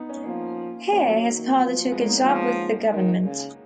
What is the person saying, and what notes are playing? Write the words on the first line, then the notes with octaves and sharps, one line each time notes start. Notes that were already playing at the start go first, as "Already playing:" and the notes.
Here his father took a job with the government.
Already playing: B3 D#4
C#4
B3
F3 A#3 C#4
F3 A#3 C#4
F#3 A#3
D#3
F3
G#3 B3
A#3 C#4
B3 D#4
A#3 C#4
F3 G#3 B3
D#3
C#3